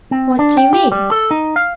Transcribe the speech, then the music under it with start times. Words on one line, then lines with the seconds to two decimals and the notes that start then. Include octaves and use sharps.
What do you mean?
0.11 C4
0.39 D4
0.57 G5
0.73 G4
0.92 G3
1.11 A4
1.31 D#4
1.56 F5